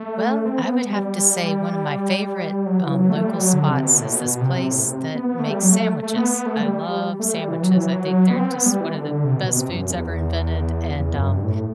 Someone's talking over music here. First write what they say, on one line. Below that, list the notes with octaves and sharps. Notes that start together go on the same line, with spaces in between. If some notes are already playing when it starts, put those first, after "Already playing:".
Well, I would have to say one of my favorite, um, local spots is this place that makes sandwiches. I love sandwiches, I think they're just one of the best foods ever invented, and, um,
Already playing: A3
C4
B3
G3
F#3
E3
F#3
A3
G3
F#3
D3
C3
B2
A2
B2
B2
C3
C3
A2
C3
B3
B3
A3
G3
F#3
A3
A3
B3
B3
A3
G3
A3
G3
E3
F#3
E3
F#3
B3
C4
B3
G3
E3
D3
D3
C3
B2
B2
C3
F#2
E2
E2
F#2
G2
A2